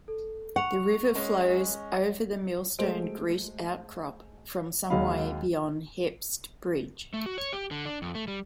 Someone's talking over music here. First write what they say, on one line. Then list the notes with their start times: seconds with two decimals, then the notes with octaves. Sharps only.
The river flows over the Millstone Grit outcrop from some way beyond Hepste Bridge.
0.08 A4
0.56 F#5 C#6 F7
1.15 G#3 C#4
2.79 G#3 A3 F#4 C5 D7
4.90 D#2 F#3 G#3 D#5 F5 B5
7.14 A3
7.26 F#4
7.38 C#5
7.53 G4
7.71 D3
7.86 D4
8.02 F2
8.15 A3
8.28 G3